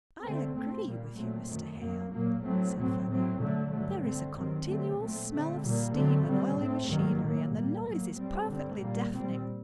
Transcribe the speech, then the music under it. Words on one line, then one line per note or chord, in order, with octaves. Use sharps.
'I agree with you, Mr. Hale!' said Fanny. 'There is a continual smell of steam, and oily machinery--and the noise is perfectly deafening.'
D3 A3 C4
A2 A3 C4
A#2 G3 A#3
A#2 F#3 A3 C4
F#2 D#3 A3
F#2 F#3 A#3
A#2 F#3 A#3
A2 F#3 A3 C4
A2 F#3 C4
A2 F#3 C4
D3 F#3 A3
G2 D3 F#3 A3
D3 A3 C4
G2 D#3 F#3 C4
D3 F#3 A3 C4
A#2 F#3 A3 C4
D3 A3 C4
A#2 G3 A#3
D3 F#3 A3 C4
D3 G3 C4
A2 A3 C4
G2 D#3 F#3 A#3
A2 F#3 A#3
A#2 G3 A#3
A2 F#3 A#3
A2 G3 C4
G2 D3 G3 C4
A#2 G3 A#3
A#2 G3 C4